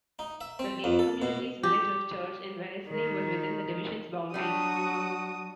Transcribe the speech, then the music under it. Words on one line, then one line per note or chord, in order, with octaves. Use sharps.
The gay community's village of Church and Wellesley was within the Division's boundaries.
D#4
E5
C4
F2
A4
B2
G4
D#3
F#3 G3 D4 F#4 D#6